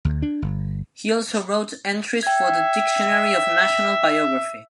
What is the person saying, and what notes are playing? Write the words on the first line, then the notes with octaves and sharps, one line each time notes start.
He also wrote entries for the "Dictionary of National Biography".
D2
D4
G1
E5 G5 G#6